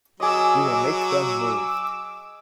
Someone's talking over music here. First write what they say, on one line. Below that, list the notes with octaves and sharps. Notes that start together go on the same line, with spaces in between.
We will make them move.
F#3 G#4 D#5 D6 E6